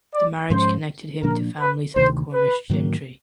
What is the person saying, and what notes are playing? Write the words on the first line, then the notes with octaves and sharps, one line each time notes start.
The marriage connected him to families of the Cornish gentry.
D5
G#2 F3 G#3 C#4 C5
A#2 F3 A#3 D4 A#4
B4
D2 C3 D#3 C5
B4
G#2 D#3 F#3 A#3